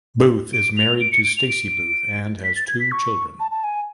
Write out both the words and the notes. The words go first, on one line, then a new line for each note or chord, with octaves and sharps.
Booth is married to Stacy Booth and has two children.
D7
F7
D7
C#7
D7
F7
D7
B6
A6
G#6
B6
C#6
A5
A5
G#5